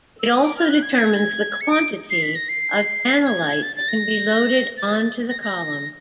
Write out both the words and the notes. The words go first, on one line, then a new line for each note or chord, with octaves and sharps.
It also determines the quantity of analyte that can be loaded onto the column.
E6
D#6
D6
F6
F#6
G#6
G#6
C#7
D7
C7
B6
A#6
C7
G#6
A6
A6
A#6
A6
A#6
A#6